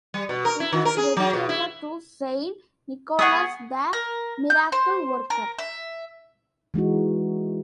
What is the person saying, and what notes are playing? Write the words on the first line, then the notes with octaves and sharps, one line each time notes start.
It is dedicated to Saint Nicholas the Miracle-Worker.
G3
B2
A#4
E4
D#3
A#4
G#4
F#3
B2
E4
B3 G#4 F#5 C#6 D#6
A#4
G6
C5
A#4
E5
E3 G#3 D#4 F#4